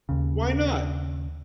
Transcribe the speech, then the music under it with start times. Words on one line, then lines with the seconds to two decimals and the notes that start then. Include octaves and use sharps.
why not?
0.09 D#2 C#3